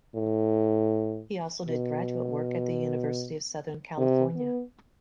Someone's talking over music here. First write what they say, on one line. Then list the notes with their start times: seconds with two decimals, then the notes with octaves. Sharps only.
He also did graduate work at the University of Southern California.
0.15 A2
1.68 B2
3.97 C3
4.35 B3